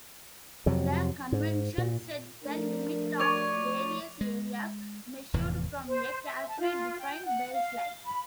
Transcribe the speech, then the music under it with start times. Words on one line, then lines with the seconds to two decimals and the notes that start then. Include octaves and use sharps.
The convention set the limit of various areas, measured from a carefully defined baseline.
0.66 F2 C3 F#3
1.32 G#2
1.78 A#2
2.43 F3 A3 D4 A#4
3.20 C#5 D5 C#6 F7
4.21 G#3
5.33 F1 E2 A2 E3
5.88 C5
6.25 E5
6.48 A5
6.60 F4
6.99 G5
7.25 F#5
7.54 F5
8.04 B5